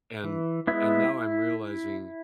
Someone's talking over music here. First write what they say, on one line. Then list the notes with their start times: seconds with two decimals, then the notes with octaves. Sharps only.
And and now I'm realizing,
0.24 E3
0.67 G#3 B3 E4